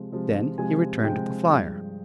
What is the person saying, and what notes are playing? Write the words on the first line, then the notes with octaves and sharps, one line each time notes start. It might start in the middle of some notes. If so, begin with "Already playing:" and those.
Then he returned to the flier.
Already playing: C3 F3 G#3
C3 F3 G#3
C3 F3 G#3 G#5
C3 F3 G#3 G5
G2 F3 G#3